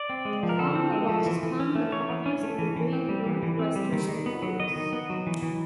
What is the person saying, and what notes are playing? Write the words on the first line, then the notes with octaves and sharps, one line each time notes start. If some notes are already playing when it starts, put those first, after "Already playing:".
Along the walls hung the fathers of the Great Northwestern in oils.
Already playing: D5
C4
G#3
F3
A#4
D3 A4
C4
G#3
F3
E3
E3
C#4
A3
E3 C#5
E3
C#4
A3
E3
E3
C4
G3
E3
E3
C4
G3
D#3
D#3
B3
F#3
D#3 D#5
D#3
B3
F#3
E3
E3